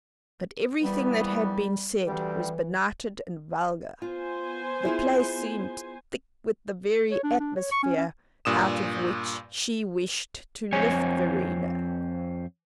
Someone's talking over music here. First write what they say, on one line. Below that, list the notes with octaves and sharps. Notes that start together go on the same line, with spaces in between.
But everything that had been said was benighted and vulgar; the place seemed thick with the very atmosphere out of which she wished to lift Verena.
A#1 E3 G3 B3
D2 E3 G3
B3 F4 C5 G#5
E4 F4 G#4
C#5
D4
D4
C#5
C#6
C#4
C#4
G2 A#2 D#6 E7
F2 C4 C#5 G#5